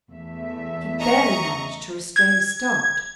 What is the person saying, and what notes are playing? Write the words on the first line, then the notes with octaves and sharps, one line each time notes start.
He barely managed to restrain a start.
E2 A3 E5
D#5 A#5 C#6
G#6